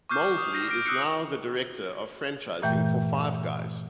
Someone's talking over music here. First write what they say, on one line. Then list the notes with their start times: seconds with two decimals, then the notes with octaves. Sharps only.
Moseley is now the Director of Franchising for Five Guys.
0.09 C#6 D6 F6 G6 C7
0.38 D#6
0.53 G6 A#6 C7
0.69 F6 A#6 D7
0.86 D#6 E6 F#6 C7 C#7
2.62 G2 A#2 E3 A3 G5 G6